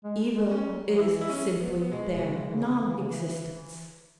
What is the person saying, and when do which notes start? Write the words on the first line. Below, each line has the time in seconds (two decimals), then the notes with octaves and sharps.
Evil is simply their nonexistence.
0.04 G#3
0.36 G#3
0.51 C#4
0.67 F#3
0.88 F#3
0.98 E3 E4
1.21 E4
1.29 C#4
1.60 B3
1.82 B3
1.92 B2 G#3
2.15 B2
2.23 C#3
2.49 E3
2.54 C#3
2.86 E3
2.97 C#3
3.08 E3